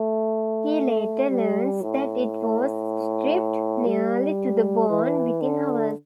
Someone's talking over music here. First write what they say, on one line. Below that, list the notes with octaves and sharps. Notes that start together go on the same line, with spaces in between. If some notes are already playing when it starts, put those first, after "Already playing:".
He later learns that it was stripped, nearly to the bone, within hours.
Already playing: A3
G3
A2
G3
E3
D3